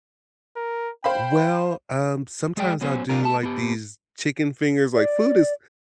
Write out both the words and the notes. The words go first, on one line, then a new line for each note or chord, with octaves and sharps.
Well, um, sometimes I'll do like these chicken fingers, like, food is
A#4
C5 F5 G5 B5
G#3 G#4 D5 G5
F#3 B3 C#4 C5
C3 D4 F4 A#4
A3 A5
B3 G4
D5